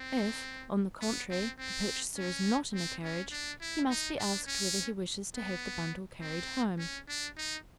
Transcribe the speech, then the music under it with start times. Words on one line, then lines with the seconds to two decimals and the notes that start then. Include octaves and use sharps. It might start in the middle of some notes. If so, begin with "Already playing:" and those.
If, on the contrary, the purchaser is not in a carriage, he must be asked whether he wishes to have the bundle carried home.
Already playing: C4
1.01 B3
1.31 C4
1.59 C4
2.16 C#4
2.74 C4
3.03 C#4
3.32 D4
3.61 E4
3.90 D#4
4.19 D4
4.48 C#4
5.35 B3
6.21 C4
6.79 C#4
7.08 D4
7.37 D#4